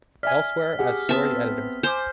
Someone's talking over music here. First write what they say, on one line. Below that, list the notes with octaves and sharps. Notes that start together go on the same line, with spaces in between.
Elsewhere as story editor.
D5 E5 G#5 F6 B6
G4 G#4 F#5
B3 C4 E5 A5 D#6
C5 G#5 D6